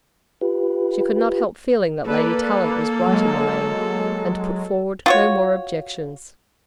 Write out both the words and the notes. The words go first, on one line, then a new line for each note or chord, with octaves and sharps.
She could not help feeling that Lady Tallant was right in the main, and put forward no more objections.
F4 G4 B4
A#3 A4 B4 D5
F#3 G#3
F4 F#4 C#5